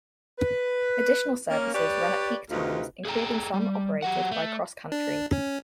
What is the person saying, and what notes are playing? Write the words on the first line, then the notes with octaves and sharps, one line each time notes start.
Additional services run at peak times, including some operated by CrossCountry.
B4
A#3 C#4
G4 B4 C#5 D5
D2 C3 D#4 F4 G4 B4
G#4 A4 D#5 G5 A#5
G3
F#3 G4 F#5
A3
D4
C#4